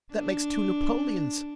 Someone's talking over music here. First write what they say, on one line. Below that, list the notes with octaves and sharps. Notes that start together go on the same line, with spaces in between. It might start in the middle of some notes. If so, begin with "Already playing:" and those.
That makes two napoleons!
D4